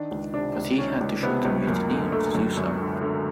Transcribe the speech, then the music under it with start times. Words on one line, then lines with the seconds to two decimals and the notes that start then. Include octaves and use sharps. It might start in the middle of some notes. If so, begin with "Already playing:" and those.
But he had to shoot a mutineer to do so.
Already playing: D#3 D4
0.11 C#2
0.34 C3 D4
0.57 C#2
0.78 D#3 C#4
1.01 C#2
1.23 C3 B3
1.45 C#2
1.67 F#2 A#3
1.90 D3
2.12 D3 A3
2.35 F#2
2.57 F#2
2.79 D3
3.02 D3